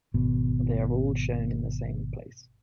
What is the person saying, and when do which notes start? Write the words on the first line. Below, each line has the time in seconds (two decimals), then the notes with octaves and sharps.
They are all shown in the same place.
0.14 G#1 B2